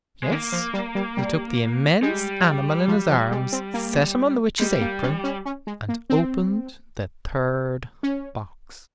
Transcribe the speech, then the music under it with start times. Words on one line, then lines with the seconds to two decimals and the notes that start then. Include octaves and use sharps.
Yes, he took the immense animal in his arms, set him on the witch's apron, and opened the third box.
0.23 G#3
0.30 D#3 A#3
0.52 F3
0.74 G3
0.95 G3
1.17 G3
2.02 G3 G#3
2.88 F3
3.10 F3
3.31 G#3
3.53 C4
3.74 A#3
4.59 G3 G#3
4.81 A#3
5.03 C#4
5.24 C#4
5.45 C#4
5.67 G#3
5.89 A#3
6.10 C4
8.03 C#4